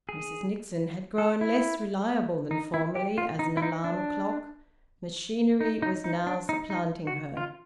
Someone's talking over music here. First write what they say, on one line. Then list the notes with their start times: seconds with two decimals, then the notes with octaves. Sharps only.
Mrs Nixon had grown less reliable than formerly as an alarm clock; machinery was now supplanting her.
0.09 G#4
1.18 A4
1.41 E4
2.51 D#4
2.74 E4
2.95 G4
3.18 F4
3.39 D#4
3.57 E4
3.62 D#4
3.84 D4
5.61 D#4
5.82 D#4
6.04 D#4
6.27 D4
6.49 D#4
6.70 D#4
7.07 F#4
7.37 F4